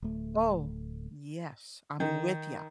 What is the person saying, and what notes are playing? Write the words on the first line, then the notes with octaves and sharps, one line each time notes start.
Oh, yes, I'm with ya.
D1 A3
D#3